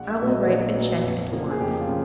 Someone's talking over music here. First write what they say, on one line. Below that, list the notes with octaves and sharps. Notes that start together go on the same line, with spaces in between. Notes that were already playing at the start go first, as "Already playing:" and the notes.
I will write a cheque at once.'
Already playing: A#1 F#5
E5
A#2 F#3 B3
D#5
A#1 D5
A#2 F#3 B3
F2
C#3 F3 A#3
G#4
F2 G4
F4
C#3